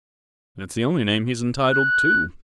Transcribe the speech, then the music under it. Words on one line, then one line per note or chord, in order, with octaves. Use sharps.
It's the only name he is entitled to.
F#6